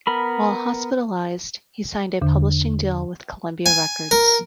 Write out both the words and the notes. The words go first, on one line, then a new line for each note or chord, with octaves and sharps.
While hospitalized, he signed a publishing deal with Columbia Records.
B3 A#4 B5
E2 D3
G#5
A#4